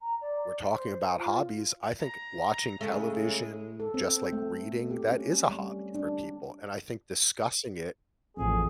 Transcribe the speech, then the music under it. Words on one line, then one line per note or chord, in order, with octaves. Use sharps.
we're talking about hobbies, I think watching television, just like reading, that is a hobby for people. And I think discussing it
A#5
D5
C5
F4
A#5
A2 C#3 G#3 A3
A4
C4
A3
G4
C#4
G3
D4
A1 F2 G#4